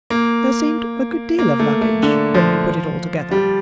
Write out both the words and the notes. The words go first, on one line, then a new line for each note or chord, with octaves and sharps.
There seemed a good deal of luggage, when we put it all together.
A#3
A#3
A3
A3
D3
F3
G3